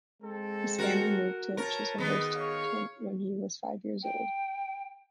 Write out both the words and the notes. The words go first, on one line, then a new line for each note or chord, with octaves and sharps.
His family moved to Chislehurst, Kent when he was five years old.
G#3 C4 A4
F#4 A#4
A#4 B4 C#5 A5
D#3 B3 G#4 B4 D#5 B5
C#5 F5 C#6
G5